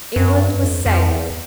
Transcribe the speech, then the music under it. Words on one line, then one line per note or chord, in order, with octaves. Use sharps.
England was saved.
F#2
G2
F2
F2
E2